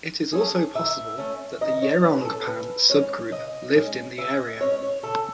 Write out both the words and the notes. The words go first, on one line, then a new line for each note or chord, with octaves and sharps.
It is also possible that the Yerongpan sub-group lived in the area.
A3 C#4 G#4
D#3 E5
A3 C#4
D#3 D#5
C#5
A3 C#4 B4
G#4
A4
C#3 B4
G#3 C#4 C#5
C#3 D#5
G#3 C#4
C#3 E5
D#5
G#3 C#4 C#5
C#5
C#3 A4